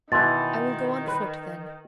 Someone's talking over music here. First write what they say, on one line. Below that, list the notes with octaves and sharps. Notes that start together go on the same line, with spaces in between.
"I will go on foot, then."
B2 D#3 E3 C6 A6
B4